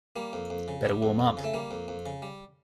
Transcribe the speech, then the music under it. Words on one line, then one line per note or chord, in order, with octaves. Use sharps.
Better warm up.
G3 A#3
F2
F2
C#3
G3
F2
F2
C#3
A3
G3 A#3
F2
F2
C#3
G3